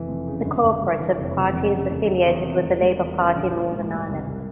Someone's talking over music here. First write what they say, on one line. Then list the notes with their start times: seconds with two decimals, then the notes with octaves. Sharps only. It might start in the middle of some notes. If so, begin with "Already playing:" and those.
The Co-operative party is affiliated with the Labour Party in Northern Ireland.
Already playing: F1 E3
0.08 F2
0.27 C#3
0.45 G1
0.64 G1
0.81 G2
1.00 E3
1.18 F1
1.36 F1
1.53 F2
1.72 C#3
1.90 E1
2.08 E1
2.27 E2
2.45 C3
2.63 E1
2.82 G3
2.99 E2
3.18 C#3
3.36 A#1
3.54 A#3
3.72 G#2
3.90 G3
4.09 C2
4.27 C2